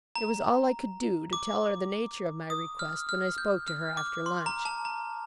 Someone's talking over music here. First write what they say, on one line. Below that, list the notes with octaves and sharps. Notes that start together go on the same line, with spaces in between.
It was all I could do to tell her the nature of my request, when I spoke to her after lunch.
A#5
D6
D#6
F6
F6
G6
F6
D6
C6
A#5
A5
A#5